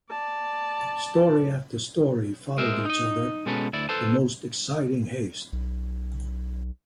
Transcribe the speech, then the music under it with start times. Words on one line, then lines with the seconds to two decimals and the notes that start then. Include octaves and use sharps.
Story after story followed each other with the most exciting haste.
0.10 D5 A5
2.58 G#3 A#4 C5 E5
2.85 D#4 D#5
3.46 B2 G#3 C#4 A4 B4
3.73 D2 E4 D5
3.89 A4 B4 C5 A5
5.53 B1